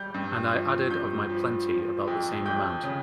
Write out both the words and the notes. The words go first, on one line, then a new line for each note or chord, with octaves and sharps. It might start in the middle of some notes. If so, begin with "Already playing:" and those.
And I added of my plenty about the same amount.
Already playing: G3 G6
G2
F3
G2 G6
F3
F3
F2
F2 G6
C#3